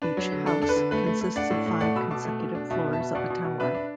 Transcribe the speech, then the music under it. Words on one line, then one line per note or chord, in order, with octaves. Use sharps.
Each "house" consists of five consecutive floors of a tower.
D4 B4
F#3
D3
D4 A4
D4 A4
B4
D3
A3 B4
A3
A3
D4 D5 F#5
A2
A2
A3 D5 F#5
B2 B5 E6
B2 A5 D6
A3
B2
D4
B2 E5 A5
B3
E5 A5
B2
B2 D5 F#5
B2
B2
D4 B4 E5
D4